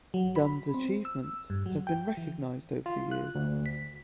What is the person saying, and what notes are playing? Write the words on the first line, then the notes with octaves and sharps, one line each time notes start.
Dunn's achievements have been recognized over the years.
F#3
B5
C4
E6
G2
F#3
G5
E3
F4
F#6
D2
B6